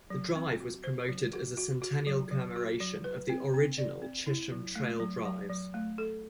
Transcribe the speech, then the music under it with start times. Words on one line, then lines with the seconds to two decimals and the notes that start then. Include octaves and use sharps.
The drive was promoted as a centennial commemoration of the original Chisholm Trail drives.
0.10 F#3
0.35 C4
0.60 F#4
0.84 C5
1.09 F#3
1.33 F#4
1.58 F#4
1.82 F#4
2.07 F#3
2.31 F#3
2.56 F#4
2.80 F#3
3.04 B4
3.29 C4
3.54 C4
3.78 D5
4.02 C4
4.26 E4
4.52 F#3
4.75 A3
5.00 F#3
5.25 F#3
5.49 F#3
5.74 A3
5.98 A4